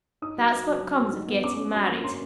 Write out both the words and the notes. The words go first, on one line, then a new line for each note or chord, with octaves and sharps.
That's what comes of getting married.
D#4 D#6
F#3
F#3
F#3
F#3
F#3
D#4
B3
C#4 D6
C#4
F#3 C6
A#3
C#4 C6